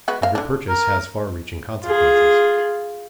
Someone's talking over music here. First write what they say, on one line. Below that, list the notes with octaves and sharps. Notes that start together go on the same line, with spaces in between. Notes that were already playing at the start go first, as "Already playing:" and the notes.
Every purchase has far-reaching consequences.
G#3 B3 F#4
A#3 F5
D3 D4
A#4
F4 G#4